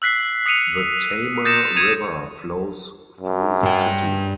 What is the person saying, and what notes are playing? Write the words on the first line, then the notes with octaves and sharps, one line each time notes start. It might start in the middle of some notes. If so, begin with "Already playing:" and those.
The Tama River flows through the city.
E6 F#6 B6 C7
D#6 B6 C#7 D#7 F7
D#6 G6 A6 A#6 C#7 E7
G#6 C#7 D#7 F7
F#2
G2 G5